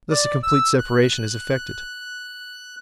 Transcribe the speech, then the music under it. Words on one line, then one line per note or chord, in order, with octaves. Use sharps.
Thus a complete separation is effected.
D5
E6
F#6